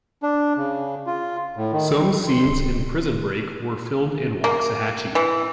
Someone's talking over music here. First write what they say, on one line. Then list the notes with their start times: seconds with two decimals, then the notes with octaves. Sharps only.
Some scenes in "Prison Break" were filmed in Waxahachie.
0.23 D4
0.57 C#3
1.06 F4
1.56 A2
1.73 D#3
1.95 G3
2.28 C6
4.44 A#3
5.15 E3